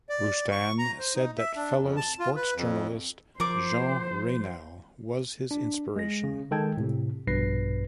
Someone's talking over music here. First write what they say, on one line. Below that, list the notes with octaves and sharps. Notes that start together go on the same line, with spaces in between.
Roustan said that fellow sports journalist Jean Raynal was his inspiration.
D5
C#6
A#5
C5
D#4
E5
D4
F2
A5
F4
B4
F2
F3 A#4 C5 D5 D6
D4
G#3 A#6
C#3
D#3 G#3 A4 G5 A5 G#6
A2 C3
A#1 G2 B2 B4 A#6 C7